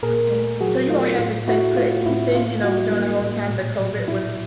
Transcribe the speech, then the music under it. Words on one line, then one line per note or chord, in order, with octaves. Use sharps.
Okay. So you all had to stay put. You think you know, during the whole time the COVID was,
A#2 G#4 A#4
A3
F#3 F#4 G#4
A3 F4
A2 F4
A3 E4 F#4
A3 F4
A2 E4
A#3 F4
G3 E4 F#4
A#3
A2
A#2
F#3
F#3 E4